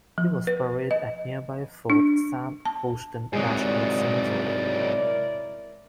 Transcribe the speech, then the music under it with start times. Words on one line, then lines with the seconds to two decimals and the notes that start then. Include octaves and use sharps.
He was buried at nearby Fort Sam Houston National Cemetery.
0.18 F3
0.47 B4
0.91 D#5
1.90 D4
2.65 A5
3.33 G#2 C3 F#3 G#3 E4 G#4 A#4 D5